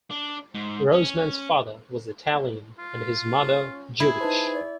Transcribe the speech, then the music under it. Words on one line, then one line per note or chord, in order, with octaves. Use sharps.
Rossman's father was Italian, and his mother Jewish.
D4
G#2
C#4
F4
C#4
E4 G#4
D#4 B4 C5 A5
D5